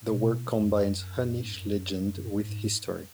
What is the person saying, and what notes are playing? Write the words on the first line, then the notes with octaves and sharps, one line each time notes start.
The work combines Hunnish legend with history.
A#2
B2
F#2
G#2
F#2
G#2